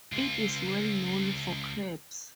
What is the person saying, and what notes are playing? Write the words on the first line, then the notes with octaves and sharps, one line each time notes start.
It is well known for crabs.
C#2 F4